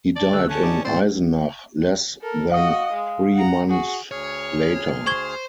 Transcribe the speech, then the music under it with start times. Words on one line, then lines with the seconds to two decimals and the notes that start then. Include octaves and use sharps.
He died in Eisenach less than three months later.
0.16 D5 A5
0.33 D2 A3 E6 F#6
0.49 C#4 A5
0.63 D#4 G4 D5
0.85 A2 G#3 C4 C5 D5
2.22 A4 A#4
2.52 F#4 D#5 F5 D#6
2.92 G#3
3.34 F#5 A#5
3.69 F#4 G#4
4.11 D2 G#4 C#5 F6
5.07 C5 C#6 G#6 G7